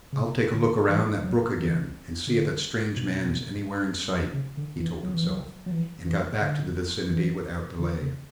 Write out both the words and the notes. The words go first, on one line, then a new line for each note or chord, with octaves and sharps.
"I'll take a look around that brook again, and see if that strange man is anywhere in sight," he told himself, and got back to the vicinity without delay.
C#3
B2
D3
E3
F#3
E3
D3
B2
C#3
D3
E3
F#3
E3
F#3
F#3
E3
E3
D3
E3
D3
C#3